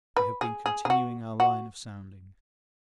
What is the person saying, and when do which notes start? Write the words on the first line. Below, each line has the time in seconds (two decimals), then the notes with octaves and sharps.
We have been continuing our line of soundings.
0.17 B4
0.41 G#4
0.66 G#4
0.85 G#4
0.90 F#4
1.40 F#4